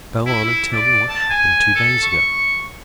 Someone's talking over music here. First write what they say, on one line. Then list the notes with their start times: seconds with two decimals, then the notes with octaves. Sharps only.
But go on and tell me what happened two days ago.
0.26 E4
0.44 E4
0.73 D5
1.10 A5
1.30 G#5
1.76 A4
2.03 C#6